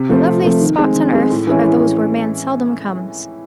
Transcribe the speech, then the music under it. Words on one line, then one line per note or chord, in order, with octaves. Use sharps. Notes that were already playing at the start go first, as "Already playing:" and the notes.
The loveliest spots on earth are those where man seldom comes.
Already playing: C3
F3 A3 C4
C3
F3 A3 C4
D#3
G#3 C4
D#3
G#3 C4
A2
E3 G#3 C#4 E4
A2